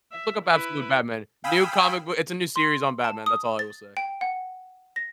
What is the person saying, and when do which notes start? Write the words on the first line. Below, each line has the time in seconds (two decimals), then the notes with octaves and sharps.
Just look up Absolute Batman. New comic book. It's a new series on Batman. That's all I will say.
0.12 E5
0.46 E4 B4
1.44 F5 G5 G#5 B5 D#6 E6
2.56 C6
3.04 A5
3.26 D#6
3.59 A6
3.97 G5
4.21 F#5
4.96 A#6